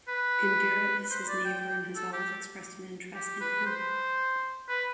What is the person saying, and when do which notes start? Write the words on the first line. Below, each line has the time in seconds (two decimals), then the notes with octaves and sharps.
Indira is his neighbour, and has always expressed an interest in him.
0.08 B4
0.98 B4
1.10 C5
1.28 D5
1.45 G5
1.62 G5
1.96 A4
2.13 G4
3.15 G4
3.41 B4
3.66 C5
4.69 B4